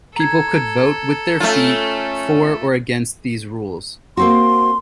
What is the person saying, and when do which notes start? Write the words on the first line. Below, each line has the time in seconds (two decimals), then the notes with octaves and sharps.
People could "vote with their feet" for or against these rules.
0.16 A4 A#5 G#6
1.40 A3 C#4 F4 A6
4.17 A#3 C4 F#4 C6